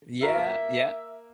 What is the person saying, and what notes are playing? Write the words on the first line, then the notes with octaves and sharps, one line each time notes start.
Yeah, yeah,
F4 F#4 A#4 E5
A#3